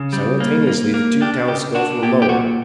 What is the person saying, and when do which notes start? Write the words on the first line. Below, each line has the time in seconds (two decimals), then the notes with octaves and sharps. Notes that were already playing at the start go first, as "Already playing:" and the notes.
Simultaneously the two telescopes were lowered.
Already playing: C#3
0.13 G3
0.40 A#3
0.67 A#3
0.94 A#3
1.21 D4 G4
1.48 C#3 G4
1.75 D4 F#4
2.03 A#2 G4
2.22 G4
2.29 A#2 F#4